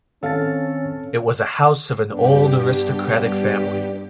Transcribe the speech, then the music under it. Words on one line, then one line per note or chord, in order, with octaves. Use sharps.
It was a house of an old aristocratic family.
D#3 C4 C#4 A4 F5 A6
G2 B3 D4 G4